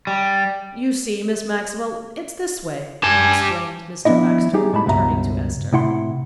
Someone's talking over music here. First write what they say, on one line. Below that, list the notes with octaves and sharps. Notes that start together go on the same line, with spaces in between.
"You see, Miss Maxwell, it's this way," explained Mr. Baxter, turning to Esther.
G3
G4 G#5 A5
F3 B3 C4 D4 E4 D#5
G3 D#4 G4 G#4
A2 G#3 A5 B5
C#2 G2 B2 E5 A#5
A2 C3 E4 F#5 C6